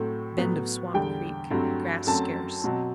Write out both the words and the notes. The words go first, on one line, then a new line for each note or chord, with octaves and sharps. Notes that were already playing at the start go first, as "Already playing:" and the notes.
Bend of Swamp Creek.--Grass scarce.
Already playing: A2 F#3 A3 C4
A2 F#3 B3
E2 D3 G3 G5
G2 F#3 A3 C4
F#2 F#3 A3 C4 A5
B2 F#3 C4